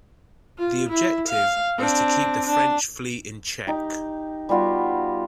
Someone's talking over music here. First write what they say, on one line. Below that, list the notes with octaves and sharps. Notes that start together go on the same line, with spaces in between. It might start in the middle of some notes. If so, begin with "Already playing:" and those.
The objective was to keep the French Fleet in check.
F4
E4
F5
C4 D4
D4
D#4 G4
G3 B3 F4 F#4